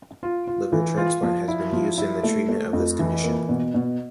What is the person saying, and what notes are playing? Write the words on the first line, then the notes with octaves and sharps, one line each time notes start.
Liver transplant has been used in the treatment of this condition.
F4
F4
E3
F4
F3
E4
F3
E4
A3
A3
F2
E3
A#3
B2
B2